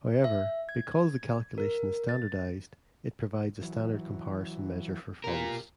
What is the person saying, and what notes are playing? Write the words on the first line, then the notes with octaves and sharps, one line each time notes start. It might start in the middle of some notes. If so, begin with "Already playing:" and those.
However, because the calculation is standardized, it provides a standard comparison measure for funds.
E5
G#6
A#4
A6
E3 F#3
B2 F4 G4 A#4